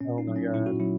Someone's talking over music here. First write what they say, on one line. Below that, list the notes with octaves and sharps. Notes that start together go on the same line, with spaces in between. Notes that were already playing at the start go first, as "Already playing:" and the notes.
Oh my god.
A#2 C#4
D#4
F#3
C#4
A#2 E4
F#4
F#3 E4